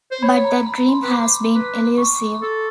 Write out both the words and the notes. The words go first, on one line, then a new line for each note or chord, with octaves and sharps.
But that dream has been elusive.
C5
C#5 B5
A#5
B5
C6
B4
C5 D6
B4
C#6
A4